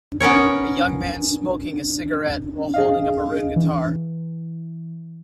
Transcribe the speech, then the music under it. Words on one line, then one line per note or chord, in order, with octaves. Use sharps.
A young man is smoking a cigarette while holding a maroon guitar.
B3 C#4 A#4 C#5
G#4 D#5 F5
E3